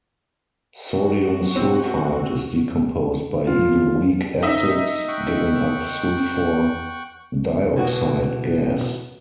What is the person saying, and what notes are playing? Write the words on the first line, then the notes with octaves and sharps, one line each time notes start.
Sodium sulfite is decomposed by even weak acids, giving up sulfur dioxide gas.
F#4
C4
F4
D#4 D#5 E5
F#5 G5 C#6
B2 E3 F#4